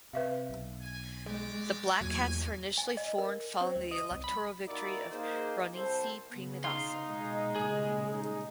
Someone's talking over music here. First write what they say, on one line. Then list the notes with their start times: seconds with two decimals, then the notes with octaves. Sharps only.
The Black Cats were initially formed following the electoral victory of Ranasinghe Premadasa.
0.13 C3 B4 E5 F5
0.50 B1
0.81 G#5
1.26 G#3 F#4 G4 D5
2.01 E2 A#2 F#3 G#5
2.78 G#5
2.97 D#5
3.18 A#4
3.61 C4
3.76 D2
3.91 D#5
4.11 C2
4.24 B5
4.67 A#3 D#4 E4 F#4 A#4 D5
5.10 A#3 D#4 G#4 C5
5.74 C2 A4 C5
6.29 C#3 B3
6.64 D#4 F5 C6
7.09 B2 G#3
7.56 A#2 C#3 G3 G#4
8.13 D#4